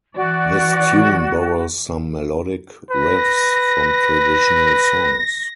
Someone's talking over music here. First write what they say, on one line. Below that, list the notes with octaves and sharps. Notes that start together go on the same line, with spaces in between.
This tune borrows some melodic riffs from traditional songs.
E3 F#4 D5
B4 A#6